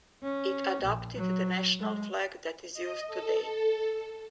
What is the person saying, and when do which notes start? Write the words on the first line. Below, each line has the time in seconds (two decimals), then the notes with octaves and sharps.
It adopted the national flag that is used today.
0.23 C#4
0.83 A#1
1.15 F#3
1.79 G#3
2.74 D#5
3.06 A4